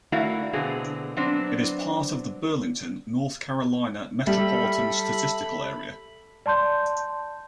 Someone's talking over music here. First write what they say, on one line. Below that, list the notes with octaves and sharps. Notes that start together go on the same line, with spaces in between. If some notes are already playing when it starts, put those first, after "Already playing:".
It is part of the Burlington, North Carolina Metropolitan Statistical Area.
A3 E4 F#4 A#4 D5 F5
B2 D3 C4 F#4 G#4
F#3 B3 C4 D4
G3 A4 E5 B5
D5 A5 C6 G6